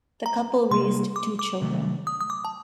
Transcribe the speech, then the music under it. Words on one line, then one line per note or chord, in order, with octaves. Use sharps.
The couple raised two children.
A#5
C3 G3 A#3 C6
D6
D6
C3 D#3 F#3 A3
D#6
D#6
D6
A5